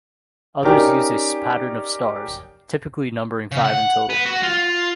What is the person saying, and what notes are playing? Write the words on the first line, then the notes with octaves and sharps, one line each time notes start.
Others use a pattern of stars, typically numbering five in total.
C#4 D#4 G4 A#4 C#5 D5
C#3
F#5
B3
F#4
F4